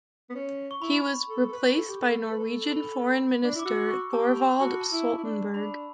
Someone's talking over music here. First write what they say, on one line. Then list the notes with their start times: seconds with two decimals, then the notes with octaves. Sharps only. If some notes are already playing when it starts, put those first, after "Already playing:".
He was replaced by Norwegian Foreign Minister Thorvald Stoltenberg.
0.30 B3
0.35 C#4
0.71 C#6
0.82 E4 B5
1.29 A4
1.49 A4
1.52 B4
1.77 A4
1.89 G4
2.01 A4
2.24 A4
2.32 B4
2.39 A4
2.71 B5
3.43 D4
3.55 E4 D6
3.66 F#4 E6
3.89 C#6
4.12 G4 A5
4.36 B5
4.60 F#4 A5
4.80 A5
4.92 E4
5.18 E4
5.24 D4
5.54 D4 B5